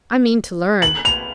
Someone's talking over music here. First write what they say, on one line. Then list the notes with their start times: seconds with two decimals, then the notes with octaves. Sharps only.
I mean to learn.
0.82 F#7
1.05 F7